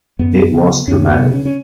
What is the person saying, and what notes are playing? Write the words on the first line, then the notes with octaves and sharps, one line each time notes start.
It was dramatic.
F#2 B3
C#3
F#2 C#4
B3
C#3
C#4
C#4